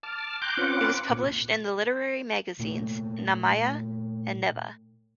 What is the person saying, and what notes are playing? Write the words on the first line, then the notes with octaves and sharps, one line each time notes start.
He was published in the literary magazines Znamya and Neva.
A5 D6 F6
G5 A#5 C6 D6 F#6 G6
C4 C#4 F4 B4 F#5 D6
A#2
A#2 A3